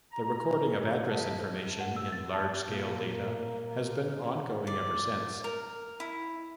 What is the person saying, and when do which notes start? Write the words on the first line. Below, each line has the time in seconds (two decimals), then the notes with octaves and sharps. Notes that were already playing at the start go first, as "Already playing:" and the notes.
The recording of address information in large-scale data has been ongoing ever since.
0.12 A#5
1.08 C3 D#3 A#3 B4 D#5 A5
1.80 F#5
1.96 E6
2.12 A6
2.33 A5
2.69 A#2 A#3
4.67 D5
5.44 A#4
6.00 E4